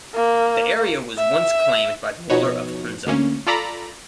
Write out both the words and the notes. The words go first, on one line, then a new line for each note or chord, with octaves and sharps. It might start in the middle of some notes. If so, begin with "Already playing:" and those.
The area was once claimed by the ruler of Hunza.
A#3
E5
B2 F3 D#4 F#4 B4 C#5
D2 A#3 C#4
F4 A4 D5 A#5 B5